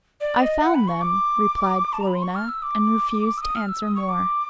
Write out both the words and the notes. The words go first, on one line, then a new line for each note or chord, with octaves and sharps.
"I found them," replied Florina, and refused to answer more.
D5
D#5
F#5
B5
C#6
D6
A5
A#5
B5
C6
C#6
F6
E6
D6
E6
D#6
F6
E6
D#6
C#6
D6